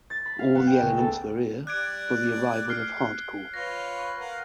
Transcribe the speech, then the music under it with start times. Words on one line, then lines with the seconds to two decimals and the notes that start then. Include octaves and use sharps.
All the elements were here for the arrival of hardcore.
0.10 A6
0.26 B5
0.39 F5
0.55 B3
0.67 G5
0.82 C#2
0.98 A4
1.67 G3 D5 F#6 G#6 D7
2.69 F6 C7
3.54 F4 B4 C#5 A#6
3.99 C#6
4.19 A#4 F5 F#5